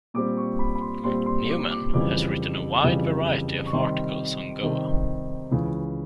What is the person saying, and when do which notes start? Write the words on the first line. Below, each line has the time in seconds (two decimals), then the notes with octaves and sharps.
Newman has written a wide variety of articles on Goa.
0.14 A#2 G3 C4 D6
0.37 C#6
0.59 B5
0.75 B5
0.81 C6
1.03 A#2 G3 C4 C6
1.26 C6
1.49 D6
1.71 D6
1.93 F2 C#3 E3 G3 D6
2.83 F2 C#3 E3 G3
3.66 C#6
3.72 C3 D#3 G3 C6
4.62 C3 D#3 G3
5.51 C#2 C#3 E3